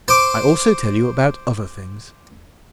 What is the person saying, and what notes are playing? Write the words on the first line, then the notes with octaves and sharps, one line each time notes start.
I also tell you about other things.
C5 D6